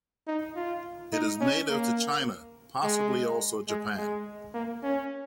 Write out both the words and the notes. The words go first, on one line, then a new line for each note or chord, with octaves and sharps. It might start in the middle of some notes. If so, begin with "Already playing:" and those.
It is native to China, possibly also Japan.
D#4
F4
D#4
C#4
A#3
G#3
G#3
G#3
A#3
C#4